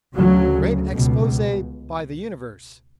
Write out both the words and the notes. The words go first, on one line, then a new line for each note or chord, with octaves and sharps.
Great Expose by the 'Universe'!
D2 C#3 F#3
C#2 B2